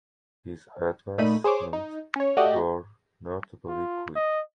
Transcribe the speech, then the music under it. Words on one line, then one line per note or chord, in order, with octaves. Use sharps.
His advancements were notably quick.
A#2 A3 D#4 B5 D#7
G#4 C5 C#5 D6
D#4
C#4 C#5
A3 F#4 G4 D5 D#5
F4
D#5